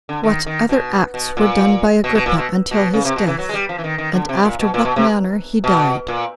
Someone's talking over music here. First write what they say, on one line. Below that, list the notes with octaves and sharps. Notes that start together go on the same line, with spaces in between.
What Other Acts Were Done By Agrippa Until His Death; And After What Manner He Died.
D3
D#3
D#3
B2
B2
A#2
B2
B2
A#2
B2
B2
C#3
C3
B2
E3
F#3
G#3
G3
F3
E3
D#3
D#3
D3
C3
A#2
B2
A#2
B2
C3
B2
A#2